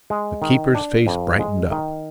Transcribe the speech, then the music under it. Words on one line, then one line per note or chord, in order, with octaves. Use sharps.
The keeper's face brightened up.
G#3
D#3
D4
F2
G#3
D#3